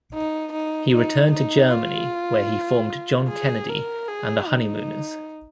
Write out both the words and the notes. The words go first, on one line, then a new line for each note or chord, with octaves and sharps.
He returned to Germany where he formed John Kennedy and the Honeymooners.
D#4
D#4
D#4
D#4
F4
G#4
A#4
G#4
D#4